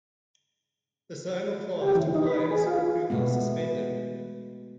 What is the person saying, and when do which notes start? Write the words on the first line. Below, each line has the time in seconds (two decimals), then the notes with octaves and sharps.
The same applies to players who are suspended.
1.82 G4
1.95 E3
2.15 D#4
2.27 B4
2.51 G#4
2.66 F4
3.10 B2 G#3 A3 B3